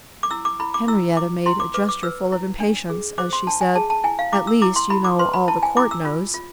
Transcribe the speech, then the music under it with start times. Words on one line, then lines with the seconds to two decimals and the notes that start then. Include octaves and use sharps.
Henrietta made a gesture full of impatience, as she said, "At least, you know all the court knows."
0.23 D6
0.31 E4 E6
0.45 D6
0.60 E4 B5
0.74 D6
0.88 E4 E6
1.17 E4 D6
1.46 E4 C6
1.60 D6
1.74 B4 D6
1.89 D6
2.03 B4 E6
2.32 E4
2.60 D4
2.90 G#4
3.18 C5 D6
3.33 C6
3.47 D4 A5
3.61 G#5
3.75 G#4 A5
3.90 A5
4.04 E4 G#5
4.19 F5
4.32 E4 D6
4.47 E6
4.62 E4 D6
4.76 C6
4.90 E4 B5
5.04 D6
5.19 B4 C6
5.33 B5
5.48 E4 A5
5.63 G#5
5.77 E4 D6
5.91 E6
6.05 F4
6.34 F4